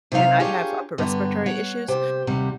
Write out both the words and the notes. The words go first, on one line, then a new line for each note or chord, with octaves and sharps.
and I have upper respiratory issues,
C3 F#3 D#4 F5
D4 F4 G4 G#4 A#4 C#5
G2 D3 B3 A#5
C#5 F#5
C3 G4 C5
D#2 C3 G3 F#5